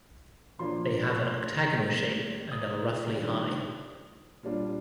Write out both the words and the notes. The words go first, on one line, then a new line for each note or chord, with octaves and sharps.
They have an octagonal shape and are roughly high.
A#2 F3 A#3 D4 F4 C6
C6
A2 G3 A#3
D#6
D#3 G3 D4 F4
A#2 G3 D4 F4